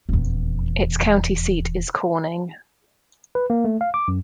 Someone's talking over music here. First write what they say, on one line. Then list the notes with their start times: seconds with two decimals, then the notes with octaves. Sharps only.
Its county seat is Corning.
0.09 D#1 E2
3.35 B4
3.50 A#3
3.65 A3
3.81 F5
3.94 D6
4.08 F#2